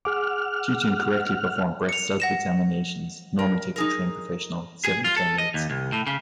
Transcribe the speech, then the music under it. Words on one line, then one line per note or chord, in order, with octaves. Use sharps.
Teaching correctly performed breast self-examinations normally takes a trained professional seven to ten minutes.
G#4 F#5 D6 F6
C#7 F7
F#5 A#6 E7
A#4
D#4 G#4 A#4
G#4
F4
A4
D#5
D#2
C2
A2
C#3